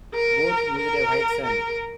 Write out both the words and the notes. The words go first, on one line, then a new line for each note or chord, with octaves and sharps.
Both used a white sun.
A#4
A#4
A#4